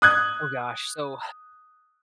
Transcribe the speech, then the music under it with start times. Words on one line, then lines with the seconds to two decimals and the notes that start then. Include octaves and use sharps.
Oh gosh, so,
0.02 D#6 F#6 G#6